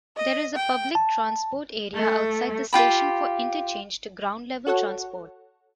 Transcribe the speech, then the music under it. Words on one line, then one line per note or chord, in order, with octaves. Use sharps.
There is a public transport area outside the station for interchange to ground-level transport.
D#5
G5
A5
A3
F4 G4 B5
F#4 A4 C#5 F#5